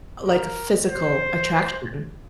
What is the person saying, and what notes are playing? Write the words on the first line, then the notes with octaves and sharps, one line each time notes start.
like, a physical attraction.
A#4
C5